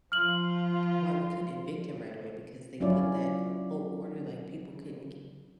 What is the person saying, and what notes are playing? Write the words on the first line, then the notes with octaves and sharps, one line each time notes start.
why we couldn't evict him right away because they put that whole order like people couldn't k
F3 F4 F6 F#7
F#3 C#4 E4 F4 D5